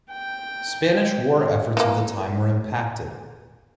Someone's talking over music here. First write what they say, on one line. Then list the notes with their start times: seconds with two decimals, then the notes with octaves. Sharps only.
Spanish war efforts of the time were impacted.
0.11 G5
1.77 E3 A#3